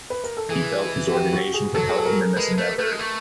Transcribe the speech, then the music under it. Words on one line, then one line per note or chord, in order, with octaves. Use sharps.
He felt his ordination could help him in this endeavor.
B4
A#4
A4
E3 G#4
F#4
G4
F#4
G#4
F#3 A4
G#4
A4
A#4
G#3 B4
A3
A3
G#3
A3